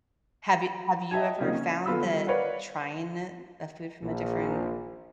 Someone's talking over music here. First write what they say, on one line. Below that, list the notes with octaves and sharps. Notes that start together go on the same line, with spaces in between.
Have you have you ever found that trying it a food from a different
D#5 E5 G5 A5 G#6
C#3 F3 A#3 C4 D#4
C#4
D3 B3 F4 B5 E6
G3 F4
A#4 B4 C#5 D5 F5 F#5
A#1